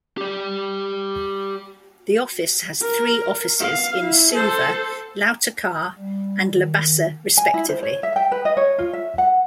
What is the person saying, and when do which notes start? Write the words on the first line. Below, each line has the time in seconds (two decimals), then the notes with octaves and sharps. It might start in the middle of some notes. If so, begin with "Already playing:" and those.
The office has three offices in Suva, Lautoka, and Labasa respectively.
0.18 G4 D5
2.81 A#4
3.60 B3 F5
3.99 E4
4.34 A4 C5
5.98 G3
6.52 D#3
7.37 G#5
7.54 E4
7.69 C5
7.83 C#5
8.03 E5
8.16 G5
8.31 B4
8.45 D#5
8.57 C#5
8.78 F4
8.93 E5
9.18 F#5